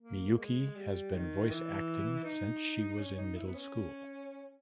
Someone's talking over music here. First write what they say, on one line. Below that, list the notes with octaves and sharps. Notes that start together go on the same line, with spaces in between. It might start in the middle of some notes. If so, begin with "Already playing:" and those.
Miyuki had been voice acting since she was in middle school.
A#3
G#3
G3
D#3
E3
D#4
C#4
D#4
E4
B3
C#4